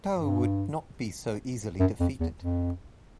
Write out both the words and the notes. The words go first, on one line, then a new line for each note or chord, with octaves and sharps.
Tau would not be so easily defeated.
G2
F#2
F2
E2
F2